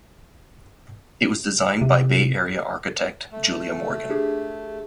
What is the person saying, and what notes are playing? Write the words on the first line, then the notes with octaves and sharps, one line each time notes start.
It was designed by Bay Area architect Julia Morgan.
C3
A3
D4 G4 G#4